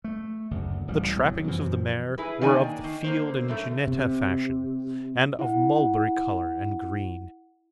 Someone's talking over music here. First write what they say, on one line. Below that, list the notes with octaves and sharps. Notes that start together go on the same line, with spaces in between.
The trappings of the mare were of the field and jineta fashion, and of mulberry colour and green.
A3
F#1 D2
D1 A1 G3
E2 C3 F#3
F#2 E3 F3
E4 G#4 B4
D#3 A#3 D4 D5 G#5
D#3
D3 A#3 C5
F#2 D3 A3
C3
E4 F#5